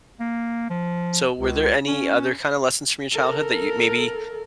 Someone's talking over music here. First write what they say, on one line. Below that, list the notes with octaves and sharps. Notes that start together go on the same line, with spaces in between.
So, were there any other kinda lessons from your childhood that you maybe
A#3
F3
C#2
C#4
A4 A#4